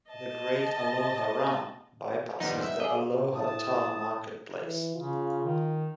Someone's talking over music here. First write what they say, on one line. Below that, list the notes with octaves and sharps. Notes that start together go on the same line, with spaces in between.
The Great Aloha Run bypasses the Aloha Tower Marketplace.
D#5 A5
D#2 F3 G3 B3 D#4
E5
G#4 D5 D#5
A2 A5 D#6
E3
C#3 F4
D#3